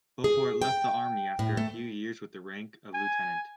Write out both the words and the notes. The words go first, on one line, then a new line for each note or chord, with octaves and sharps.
Beaufort left the Army after a few years with the rank of lieutenant.
G#4
G5
A2
A3
G#5